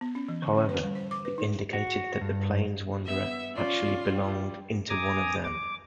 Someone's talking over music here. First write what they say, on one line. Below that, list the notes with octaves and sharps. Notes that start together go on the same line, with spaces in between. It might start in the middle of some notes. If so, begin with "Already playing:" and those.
However, it indicated that the plains wanderer actually belonged into one of them.
B3
C#4
E3
D3
C#4
B4
G3
C5
D6
B4
D#4
F#4
G2
B3 E5
C#4 F4 D5
G3
G#5 A#5 D6 D#6
D6